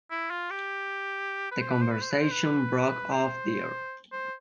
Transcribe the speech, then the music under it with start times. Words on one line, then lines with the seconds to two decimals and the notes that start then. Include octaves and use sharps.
The conversation broke off there.
0.11 E4
0.30 F4
0.50 G4
1.51 B4
1.61 C5
1.70 B4
1.81 C5
1.91 B4
2.01 C5
2.11 B4
2.21 C5
2.31 B4
3.12 C5
4.12 C5